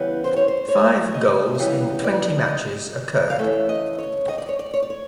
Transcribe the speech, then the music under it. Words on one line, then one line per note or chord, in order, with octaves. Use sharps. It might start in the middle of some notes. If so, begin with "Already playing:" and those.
Five goals in twenty matches occurred.
Already playing: C#3 E3 G3 B3
C5
C#5
C5
C#5
D#5
E5
C#3 E3 G3 B3 D#5
D5
D#5
F5
C#3 E3 A3 E5
D#5
C#5
D#5
D5
C#5
D5
C#5
D5
C#5